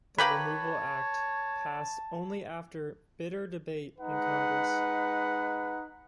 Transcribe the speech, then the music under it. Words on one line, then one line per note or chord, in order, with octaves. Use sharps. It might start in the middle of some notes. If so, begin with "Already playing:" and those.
The Removal Act passed only after bitter debate in Congress.
A#3 G4 B4 C#5 A5 B5
G#3 D#4 B4 F#5